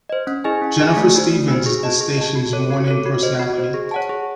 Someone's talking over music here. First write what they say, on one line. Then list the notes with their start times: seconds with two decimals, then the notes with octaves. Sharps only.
Jennifer Stephens is the station's morning personality.
0.09 C5 D#5
0.27 C#4
0.44 E4 G#4 D#5 G#5
0.62 C#4
0.79 E4 G#4 D#5 G#5
0.96 A3
1.14 D#4 F#4 C5
1.31 A3
1.48 D#4 F#4 C5
1.66 G#4
1.83 D#5 A5
2.01 G#4
2.18 D#5 A5
2.36 F#4
2.53 A4 C#5
2.70 F#4
2.88 A4 C#5
3.06 F#4
3.23 C5 D#5
3.39 F#4
3.58 C5 D#5
3.74 G#4
3.91 C#5 F#5 A5
4.09 G#4